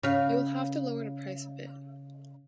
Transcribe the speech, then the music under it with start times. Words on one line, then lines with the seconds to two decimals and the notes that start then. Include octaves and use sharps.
You will have to lower the price a bit.
0.03 C#3 F5